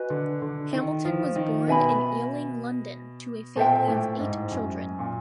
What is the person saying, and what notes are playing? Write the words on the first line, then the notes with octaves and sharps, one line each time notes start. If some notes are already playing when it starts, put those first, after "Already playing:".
Hamilton was born in Ealing, London to a family of eight children.
Already playing: F#4 B4 D#5 G#5
D3
D3
D#3
F3
D#3
B2 B4 E5 G#5 B5
A#2 A4 C5 E5 G5
A2
G#2
F#2
A#2